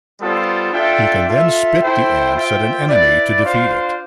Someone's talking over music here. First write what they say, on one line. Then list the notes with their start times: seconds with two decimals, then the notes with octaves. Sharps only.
He can then spit the ants at an enemy to defeat it.
0.19 G3 B3 F4 A4 C5
0.73 D4 F4 A4 E5 G5
1.27 F4 A4 E5
1.82 E4 A4 C5 G5
2.35 F4 C5 E5 G5
2.89 E4 B4 D5
3.43 D4 F4 C5 F5